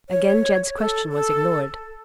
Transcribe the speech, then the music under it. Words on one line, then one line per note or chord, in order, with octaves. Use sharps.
Again Jed's question was ignored.
C#5
A4
A4